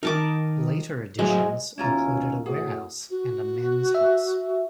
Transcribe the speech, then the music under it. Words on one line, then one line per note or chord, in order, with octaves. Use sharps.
Later additions included a warehouse and a men's house.
D#3 D#4 A#4 A5 D6
A2 F#3 G#3 C5
D#2 B2 C#4 E4 F4 A#5
A2 F#4 G#4
F#4
E5